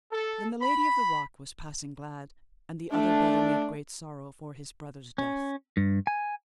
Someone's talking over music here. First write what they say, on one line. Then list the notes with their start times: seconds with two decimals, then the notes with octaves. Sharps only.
Then the Lady of the Rock was passing glad, and the other brother made great sorrow for his brother's death.
0.12 A4
0.61 B5
2.92 A3 D4
5.18 C#4
5.77 G2
6.07 G#5